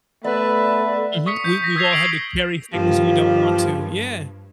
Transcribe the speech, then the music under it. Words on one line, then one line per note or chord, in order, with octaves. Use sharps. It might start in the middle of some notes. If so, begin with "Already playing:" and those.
Mhm, we we've all had to carry things we don't want to, yeah.
A3 B3 B4 D5 E5
C#6 D#6 B6 C#7
G6 B6
A#6 B6
D#6 E6 G#6 B6 C7 F7
B6 C7 D7 F#7 G7
G2 F3 A#3 G4